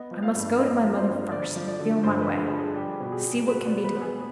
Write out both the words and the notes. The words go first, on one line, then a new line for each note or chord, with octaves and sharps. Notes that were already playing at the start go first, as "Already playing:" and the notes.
I must go to my mother first and feel my way--see what can be done.
Already playing: B3 D#5
F3
F5
G2
G2 D#5
F3
C5
G2
D3 D5
F3
D5
D3
G2 C5
B4
D3
G#4
F3
G#4
G3 G4
B2
G#4
B2
B2 B4
D5
B3
B4
B3
G#4